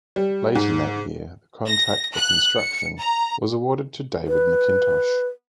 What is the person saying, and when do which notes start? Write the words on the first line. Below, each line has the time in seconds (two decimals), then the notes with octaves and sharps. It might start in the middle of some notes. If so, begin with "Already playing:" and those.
Late in that year the contract for construction was awarded to David Macintosh.
0.16 G3
0.55 G#2
1.67 A#6
2.15 F#6
2.59 C#7
2.98 A#5
4.27 B4